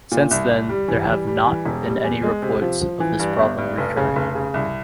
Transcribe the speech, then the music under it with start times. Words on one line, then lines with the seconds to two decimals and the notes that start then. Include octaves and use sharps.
Since then, there have not been any reports of this problem recurring.
0.12 A#2
0.31 C2
0.50 C2
0.69 G3
0.88 E3
1.08 G3
1.27 G3
1.47 E3
1.66 E1
1.85 G3
2.04 E2
2.23 G#3
2.43 C3
2.62 F3
2.81 F3
3.00 E3
3.19 G2
3.39 G1
3.58 G2
3.78 F1
3.97 C#3
4.16 F1
4.35 C#3
4.54 C2